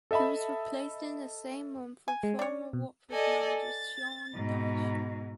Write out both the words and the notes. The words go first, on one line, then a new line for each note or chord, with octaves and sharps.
He was replaced in the same month with former Watford manager Sean Dyche.
A4 D#5 E5 A5 B5
G#5
G#3
D4 C#5 D5
B2
A4 D5 D#5 G#5
A6
G#2 B2